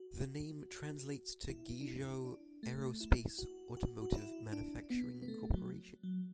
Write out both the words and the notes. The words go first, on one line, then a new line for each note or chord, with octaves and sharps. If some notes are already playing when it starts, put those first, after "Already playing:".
The name translates to ‘Guizhou Aerospace Automotive Manufacturing Corporation.
Already playing: F#4
E4
D4
E4
D4
A3
E4
F#4
F#4
F#4
E4
D4
B3
B3
A3
F#3
F#3